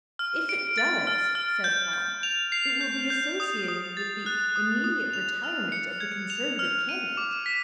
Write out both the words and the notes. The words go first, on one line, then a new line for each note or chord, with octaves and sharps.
"If it does," said Paul, "it will be associated with the immediate retirement of the Conservative candidate."
F6
D7
A6
F6
F6
G6
G6
F7
C7
G6
G6
D#6
D#6
A6
F#6
D#6
D#6
F7
F6
C#7
G#6
F7
F6
D#7
D6
B6